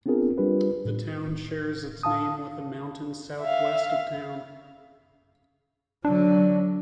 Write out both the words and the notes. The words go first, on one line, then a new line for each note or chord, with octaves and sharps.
The town shares its name with a mountain southwest of town.
B3 C4 D4 F4 G#4 A#4
G3 D4 F4 G4 B4
A2
F5 A5 D#6
E5 F5
D3 F#3 D4